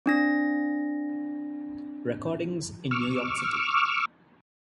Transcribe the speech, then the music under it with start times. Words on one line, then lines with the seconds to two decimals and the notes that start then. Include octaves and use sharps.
Recordings in New York City.
0.06 C4 D4 A#6
2.91 C#6 D6 E6 F6